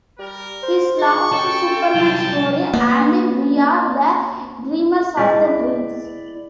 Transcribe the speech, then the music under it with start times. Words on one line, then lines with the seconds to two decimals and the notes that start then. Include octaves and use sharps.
His last Superman story, ...And We Are the Dreamers of the Dreams!
0.19 G3 A#4
0.63 C5
0.99 G#3 C#6
1.33 C#4 A4 G5
1.95 C2 F#3 A5
2.74 A#3 B3
5.17 G#3 E4 G4 D5